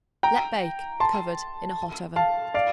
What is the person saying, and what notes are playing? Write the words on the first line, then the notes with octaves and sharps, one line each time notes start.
Let bake, covered, in a hot oven.
G5 A#5
A5 C6
F5 A5
D5 F5